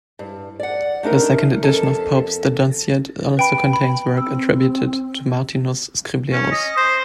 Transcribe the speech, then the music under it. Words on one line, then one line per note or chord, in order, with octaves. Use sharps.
The second edition of Pope's "The Dunciad" also contains work attributed to Martinus Scriblerus.
G2
D5 F#5
A3 D4 D#4 A#4
F2 A#3 A4 A5
B4 G5 B5
B5
C4 E6
C#4
D#5
C5